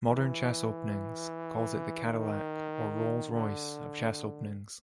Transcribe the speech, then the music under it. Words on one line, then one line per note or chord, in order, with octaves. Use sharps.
"Modern Chess Openings" calls it the "Cadillac" or "Rolls Royce" of chess openings.
E3
D#3
D3